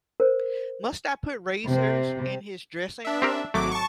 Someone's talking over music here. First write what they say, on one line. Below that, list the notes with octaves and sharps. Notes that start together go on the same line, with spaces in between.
Must I put razors in his dressing-room?
A#4 C5
C3
D4 E5
C4 G4 A#4
G#1 F#3 A3 D6
A5 C#6